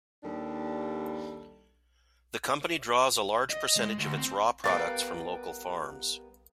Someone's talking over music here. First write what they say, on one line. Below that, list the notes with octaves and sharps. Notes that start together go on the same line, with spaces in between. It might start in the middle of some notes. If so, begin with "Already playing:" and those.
The company draws a large percentage of its raw products from local farms.
D#2 G3 D4 A4
D#5
G#3
D2
C4
G3 B3 A#4 B4 F5 G5 A6